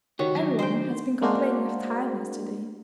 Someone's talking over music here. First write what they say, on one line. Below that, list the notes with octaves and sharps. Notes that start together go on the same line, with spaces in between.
Every one has been complaining of tiredness to-day.'
D#3 F#4 G4 C#5
F#3 D4
C5 G5
G#3 A#3 D4 F#4 A#4 C5